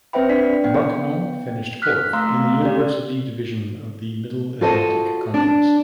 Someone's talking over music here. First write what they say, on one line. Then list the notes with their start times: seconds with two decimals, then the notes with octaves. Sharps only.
Bucknell finished fourth in the University Division of the Middle Atlantic Conference.
0.13 C4 B4 C5 E5 G5 B5
0.29 D4 D5 B6
0.64 B3 G5
1.82 F6 F#6 B6
2.13 A3 F5 A#5 C6 E6
2.62 C#4 G4 D5
4.61 F4 F#4 A4 C5 D#5
5.34 D4